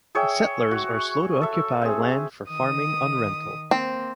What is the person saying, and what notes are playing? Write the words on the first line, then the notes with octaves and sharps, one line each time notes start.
Settlers are slow to occupy land for farming on rental.
G#4 C#5 E5 G5
F#4
A4 E5
C4 G#4
D#3 D#6
A#3 C4